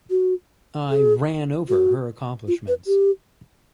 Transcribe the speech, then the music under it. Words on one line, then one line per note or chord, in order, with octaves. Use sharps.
I ran over her accomplishments.
F#4
G#4
F#4
F4
B4
G4